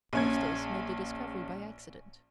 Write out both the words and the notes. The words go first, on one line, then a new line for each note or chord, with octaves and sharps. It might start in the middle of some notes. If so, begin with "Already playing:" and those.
Eustace made the discovery by accident.
A#1 C#4 G#6